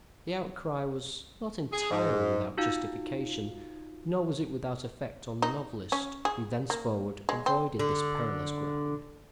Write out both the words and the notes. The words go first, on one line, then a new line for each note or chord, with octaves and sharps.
The outcry was not entirely without justification, nor was it without effect on the novelist, who thenceforward avoided this perilous ground.
G#4
G#2
D#4 F4 F#4 F5
D#4
C#4
G#4
A#3
G#3
C4
D3